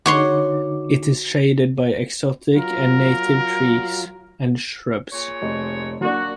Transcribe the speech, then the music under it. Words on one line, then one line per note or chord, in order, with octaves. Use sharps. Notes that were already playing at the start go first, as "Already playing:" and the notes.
It is shaded by exotic and native trees and shrubs.
D3 D#4 F#4 C#5 C6 D6
F#3 F4 A#4
A#2 G#4 C#5
F1 D#5
F#3 A#3 D4 F#4